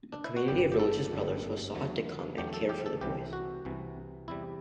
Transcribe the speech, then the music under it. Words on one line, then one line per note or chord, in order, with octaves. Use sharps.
A community of Religious Brothers was sought to come and care for the boys.
D4
E4
F#4
G1 F#2 D3 G3 G4
G4
A4
G1 F#2 D3 G3
E2 D3 F#3 A3
E2 D3 F#3 A3 G4
A4
G4
A4
C2 C3 E3 G4
F#4
C2 C3 E3
E2 C3 G3 E4